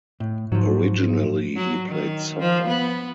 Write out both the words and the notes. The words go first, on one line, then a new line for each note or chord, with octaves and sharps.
Originally he played soccer.
A2
G#2 F3 F#3
F#3
D#3
F3
B3